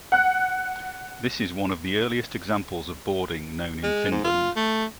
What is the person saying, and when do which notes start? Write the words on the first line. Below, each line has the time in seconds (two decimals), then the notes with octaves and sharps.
This is one of the earliest examples of boarding known in Finland.
0.12 F#5 F#6
3.83 G#3
4.12 G#2
4.24 F4
4.56 A3